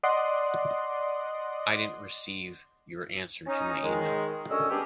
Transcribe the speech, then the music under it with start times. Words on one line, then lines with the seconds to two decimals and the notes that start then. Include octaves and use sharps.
I didn’t received your answer to my email.
0.03 D5 D#5 F#5 C6
3.47 C#4 D#4
3.82 D#3 G#3
4.50 F#2 D3 C#4 D#5 C#6 E6
4.69 G3 B3 D4 G4 G#4